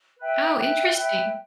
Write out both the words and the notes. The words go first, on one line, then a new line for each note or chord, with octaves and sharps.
Oh, interesting.
B4 E5 G5
B4 E5 G5
B4 E5 G5